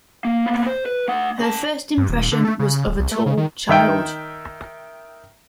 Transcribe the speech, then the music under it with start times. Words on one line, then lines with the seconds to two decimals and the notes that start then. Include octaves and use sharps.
Her first impression was of a tall child.
0.25 A#3
0.46 A#3 B3
0.66 C5
0.86 B4
1.08 A3 F#5
1.39 C#3 A5
1.97 G2
2.09 D#1
2.32 D3
2.45 A3
2.59 C#3
2.75 C#3
2.87 D1
2.99 C2
3.11 A3
3.26 C#3
3.37 D#3
3.69 D#3 E5 G5